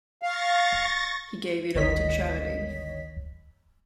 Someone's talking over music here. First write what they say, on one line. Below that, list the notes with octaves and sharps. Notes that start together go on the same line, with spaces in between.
He gave it all to charity.
F5 C#6 A6 A#6
G1 D2 D#3 C#5 D#5 B6